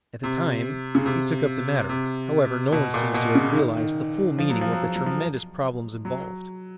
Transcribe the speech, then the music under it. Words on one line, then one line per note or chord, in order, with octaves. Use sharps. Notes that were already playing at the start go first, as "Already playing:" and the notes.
At the time he took up the matter, however, no one seems to have realized the full meaning of the tremendous problems involved.
C3
C#3
C3
C3
B2
A#2
B2
C#3
D#3
D#3
F3
F#3
F3
F#3
F3
F#3
F3
F#3